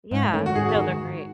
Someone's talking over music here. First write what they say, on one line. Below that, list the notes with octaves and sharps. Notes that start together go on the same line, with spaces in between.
Yeah. No, they're great.
G#2
D#3 A3 C#4
F#4
G#2 G#4
F#4
D#3